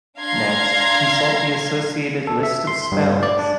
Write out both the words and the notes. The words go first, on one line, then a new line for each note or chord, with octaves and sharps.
Next, consult the associated list of spells.
D4 F5 A#5 C6 G#6 C7
A4
E5
C6
G2
D5
D4